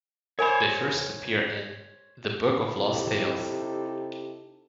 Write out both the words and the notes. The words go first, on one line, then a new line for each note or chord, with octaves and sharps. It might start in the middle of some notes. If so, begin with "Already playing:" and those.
They first appear in "The Book of Lost Tales".
A#4 C5 C#5 G#5 B5
C3 D#4 E4 G4 A4